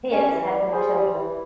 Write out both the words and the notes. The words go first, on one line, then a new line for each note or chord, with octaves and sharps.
Pearce had no children.
G2 C#4
E3
G3
G3 G#4 C5
G3
E3